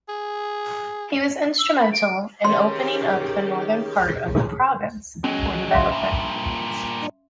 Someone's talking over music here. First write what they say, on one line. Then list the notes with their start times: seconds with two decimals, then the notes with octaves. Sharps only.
He was instrumental in opening up the northern part of the province for development.
0.09 G#4
1.59 E6
1.79 B5
1.93 D7
2.45 D#3 G4 G#4 C#5 C6
5.24 F#3 G#3 C#4
5.71 E5 F5 C6
5.92 G2 A#2